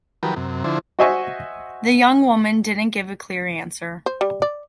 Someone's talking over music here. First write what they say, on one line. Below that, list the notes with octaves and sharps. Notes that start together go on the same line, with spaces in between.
The young woman didn’t give a clear answer.
D#3 F3 F#3 G4 A#4 B4
F#2 C3
D3 F3 E4 C5
F#4 C5 D#5 E5 G#5 C#6
C5
G3
D5